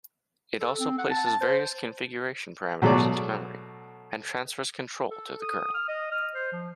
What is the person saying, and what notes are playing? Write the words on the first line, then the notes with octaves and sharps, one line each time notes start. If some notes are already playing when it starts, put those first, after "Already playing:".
It also places various configuration parameters into memory, and transfers control to the kernel.
A4
C4
F#5
A5
A5
C5
B2 F#3 G#3 A3 C#5 D5
A4
D#6
F6
D#5
F6
C5
F3